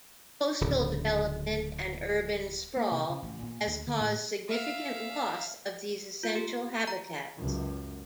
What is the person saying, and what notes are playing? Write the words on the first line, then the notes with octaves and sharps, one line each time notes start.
Coastal development and urban sprawl has caused significant loss of these essential habitats.
D1 C#3
A#3
C3
C#3
A1
A#2
D2
D3
A2
E5 F5
F4
G4
A#5
C#2 F#2